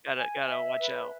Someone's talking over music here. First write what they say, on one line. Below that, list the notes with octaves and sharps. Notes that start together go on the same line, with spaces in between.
Gotta gotta watch out.
G#5
E5
B4